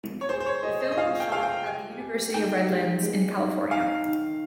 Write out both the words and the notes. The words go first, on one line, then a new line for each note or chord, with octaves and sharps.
The film was shot at the University of Redlands in California.
C#5
G#4 C5
C5
C#5
G#4 D#5
D#5
D#5
F4 F5
G5
G#4 F5
G5
G4 G#5
G4
D#4 G5
G#3
G#3
D#4
D#4 F5
D#3